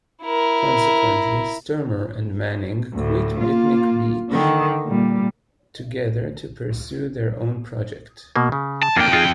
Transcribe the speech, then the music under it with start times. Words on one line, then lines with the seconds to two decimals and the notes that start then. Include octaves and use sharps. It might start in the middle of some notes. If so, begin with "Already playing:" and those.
Consequently Sturmer and Manning quit Beatnik Beatch together to pursue their own project.
0.23 E4 A#4
2.94 D2 A2
3.41 A#3 F4
4.30 D3 D#3
4.86 A#2 G3
8.36 B2 A#3
8.52 C#3
8.83 A5
8.96 F2 A#3 D4 F4 G5
9.12 D#4 F4 G#4